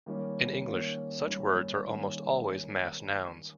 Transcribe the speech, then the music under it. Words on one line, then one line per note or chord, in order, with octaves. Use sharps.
In English, such words are almost always mass nouns.
D#3 G3 A#3 C#4
D#3 G3 A#3 C#4
D#3 G3 A#3 C#4
D#3 G3 A#3 C#4